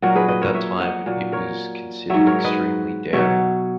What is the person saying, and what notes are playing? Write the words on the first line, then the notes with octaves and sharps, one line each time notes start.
At that time it was considered extremely daring.
A#2 F#3 F#4 A#4
G#4 B4
B4 D#5
A#4 C#5
C#5 E5
D#5 F#5
A#2 F#3
A#4 C#5
G#2 F#3 C#5 E5
A#4 C#5
B4 D#5
B2 F#3 C#5 E5